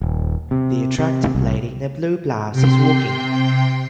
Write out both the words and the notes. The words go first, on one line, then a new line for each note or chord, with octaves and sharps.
The attractive lady in the blue blouse is walking.
D#1
C3
C3
C2
C3 G5 C6